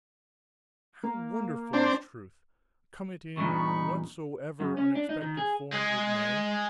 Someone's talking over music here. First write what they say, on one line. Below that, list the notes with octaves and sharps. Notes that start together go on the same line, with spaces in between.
How wonderful is truth, come it in whatsoever unexpected form it may!
A#3
C4 D4
E2 G2 A#2 D#4 B5 C#6
F#2
C#4
D4
D#4
D#3
G#4
G#3 G#4